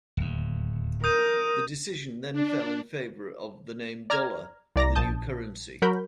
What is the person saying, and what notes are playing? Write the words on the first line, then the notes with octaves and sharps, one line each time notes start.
The decision then fell in favour of the name 'dollar' for the new currency.
D1 D#2
A#4 D#6 G6 D#7
D4
D5 A#5 F6 G#6
C2 D5 A#5 A#6
A#1 A5 D#6 G6
F#3 F#4 A#4 B5 G6